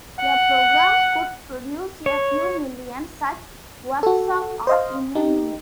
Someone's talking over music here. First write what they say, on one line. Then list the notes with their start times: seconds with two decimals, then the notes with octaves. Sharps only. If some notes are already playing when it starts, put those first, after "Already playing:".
A program could produce a few million such 'works of art' in a minute.
0.19 F#5
2.06 C#5
4.03 F#4 A4
4.67 C5 D#5 F5
5.15 D#4 G4